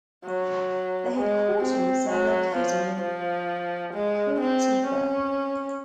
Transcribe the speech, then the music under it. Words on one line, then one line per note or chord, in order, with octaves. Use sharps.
The headquarters are located in Curitiba.
F#3
G#3
C4
F#3
F3
F3
G#3
C4
C#4